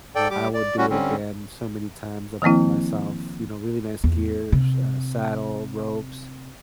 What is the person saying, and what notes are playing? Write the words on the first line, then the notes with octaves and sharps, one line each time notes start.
I would do it again so many times. I bought myself, you know, really nice gears, uh, saddle, ropes,
G#2 A4 D5 G5
G3 G4 D6
D5
G3 C#4 F#4
D3 G3 C4 C#4
D#3 F3 A#3 C4 E4
E2
C3